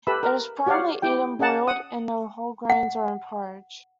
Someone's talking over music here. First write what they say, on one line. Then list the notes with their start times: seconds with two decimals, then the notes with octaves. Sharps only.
It is primarily eaten boiled in whole grains or in porridge.
0.07 G4 A4 B4 E5 B5 E6
0.23 A#4
0.66 F#4 G4 C#5 D5 F5 F#5
1.02 E4 G4 G5
1.39 C#4 G#4 D#5 F#5 A5
1.67 F#5 D#6
2.70 F#5